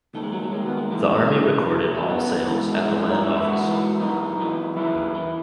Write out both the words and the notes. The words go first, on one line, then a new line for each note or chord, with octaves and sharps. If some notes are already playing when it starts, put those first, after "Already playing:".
The army recorded all sales at the land office.
D#2 D#3 A3
G#3
F#3
F#3
D#2 D#3 G#3
B3
G#3
F#2 E3 G#3
F#2 E3
F#2 E3 F#3
A3
F#2 E3 B3
G#2 E3
A3
G#2 E3 G#3
C#4
D#4
G#2 E3 E4
E4
F#4
G#2 E3
F#2 E3 D#4
F#2 E3
F#2 E3 E4
E3